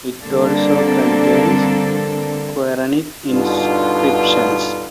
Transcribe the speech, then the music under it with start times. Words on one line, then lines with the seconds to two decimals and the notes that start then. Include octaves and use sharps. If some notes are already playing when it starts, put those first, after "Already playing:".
It also contains Qur'anic inscriptions.
0.22 D3 G3 A#3 C4 D4 A4
3.28 G2 B2 D3 D#4 F4